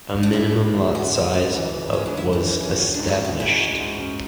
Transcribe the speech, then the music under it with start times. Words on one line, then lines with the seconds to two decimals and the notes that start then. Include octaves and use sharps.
A minimum lot size of was established.
0.23 D4
0.33 C#2 E4
0.53 C#2
0.74 E3
0.95 C#3 F#4
1.15 C#2
1.35 C#2
1.56 E3
1.77 C#3
1.93 C#2 C#4
2.06 D4
2.17 C#2 E4
2.33 D4
2.38 E3
2.48 C#4
2.58 C#3
2.63 C#4
2.78 C#4 F#4
2.94 D4
2.99 G#2
3.08 E4
3.19 C#4
3.25 F#4
3.40 G#3 E4
3.60 F#4
3.80 G#2
4.00 C#4